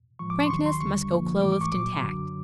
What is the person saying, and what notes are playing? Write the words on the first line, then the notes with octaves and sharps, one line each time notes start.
Frankness must go clothed in tact.
A2 F3 G#3 C#6
D6
C#6
C6
D#2 D#3 F#3 C#6
C6
D#2 D3 G3 C#6
F#2 D3 F3 A#3
G#2 E3 A3 D6
D6
C#6
C2 A#2 F#3 D6
F#2 D3 F#3